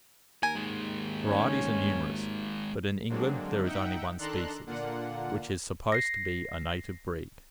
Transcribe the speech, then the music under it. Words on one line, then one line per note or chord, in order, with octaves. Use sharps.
Its varieties are numerous; but in England there is only one species, which is supposed to be a native breed.
D#2 A#4 G#5
D#3 G#3
C#4
D3 F#3 G#3 A#3 C4 D4
D#4 E5 F#5 G5
D#3 D4 A4 A#5 C6 F#6
A#2 D3 A#3 D4 F4 F#5
A#6 C7